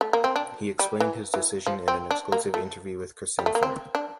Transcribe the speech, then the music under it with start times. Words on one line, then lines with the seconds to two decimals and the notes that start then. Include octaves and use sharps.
He explained his decision in an exclusive interview with Cricinfo.
0.01 A3
0.13 A#3
0.24 C4
0.36 D4
0.79 G3
1.00 E3
1.34 E3
1.66 F3
1.88 C4
2.11 D4
2.32 A#3
2.54 A3
3.39 G3
3.46 A3
3.55 A#3
3.63 C4
3.95 D4